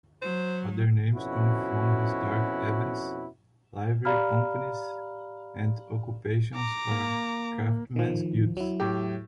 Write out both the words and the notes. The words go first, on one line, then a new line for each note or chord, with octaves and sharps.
Other names come from historic events, livery companies, and occupations or craftsmen's guilds.
F#3 C5
F2 B2 C#4 E4 F#4
G4 D5 F5 A#5 B5 F6
A#5 D6
A#3
D#3 F3
F#3 E4
A2 G4